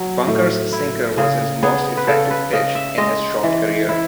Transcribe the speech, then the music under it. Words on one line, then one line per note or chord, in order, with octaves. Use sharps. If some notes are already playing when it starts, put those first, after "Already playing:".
Bunker's sinker was his most effective pitch in his short career.
Already playing: F#3
A2
E4
C#3 G#4
B3 G#4
B4
C#3 A4
B4
C#3 D#5
E5
G#3 D#5
E3
E4